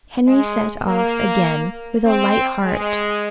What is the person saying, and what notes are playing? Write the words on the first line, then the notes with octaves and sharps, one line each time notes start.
Henry set off again with a light heart.
G#3
A#3
C4
G#3